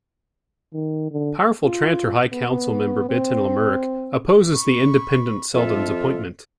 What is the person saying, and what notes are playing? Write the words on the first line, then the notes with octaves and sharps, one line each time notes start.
Powerful Trantor High Council member Betan Lamurk opposes the independent Seldon's appointment.
D#3
D3
F4
B3
C4
B5 C#6
F2 F4 A4 E5